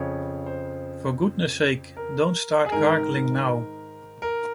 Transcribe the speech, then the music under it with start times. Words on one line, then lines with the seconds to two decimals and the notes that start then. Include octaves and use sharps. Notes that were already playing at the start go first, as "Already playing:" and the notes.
For goodness' sake, don't start gargling now.
Already playing: F2 C#3 F3 C#5
0.46 C5
1.97 A#4
2.66 G#4
2.72 G#2 D#3 A#4
4.22 A#4